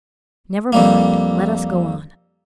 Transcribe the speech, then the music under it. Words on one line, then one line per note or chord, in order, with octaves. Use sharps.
"Never mind; let us go on."
F2 G3 A#3